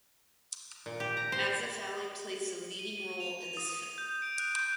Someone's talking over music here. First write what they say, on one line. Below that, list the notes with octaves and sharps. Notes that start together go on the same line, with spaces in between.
Asif Ali plays the leading role in this film.
A#2
G4
A#5
C5
D#7
D#7
F7
D#6
D#6
G6
D7
F#6
G6